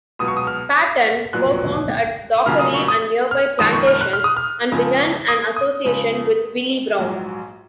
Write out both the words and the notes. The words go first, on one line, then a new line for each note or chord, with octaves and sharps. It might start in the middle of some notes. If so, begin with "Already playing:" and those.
Patton performed at Dockery and nearby plantations and began an association with Willie Brown.
C#2 B2 F#3 D#6
C#6
D#6
F6
A#1 A#2 F#3 B3 F#6
F1 F2 C#3 F#3 A#3 F6
D#6
C#6
D#6
F6
F#1 F2 D#3 G#3 D#6
C#6
F6
F#6
F6
D#6
F6
F2 C#3 F3 G#3 B3
D#6
D#6
F2 C#3 F3 G#3
A#1 G#2 F#3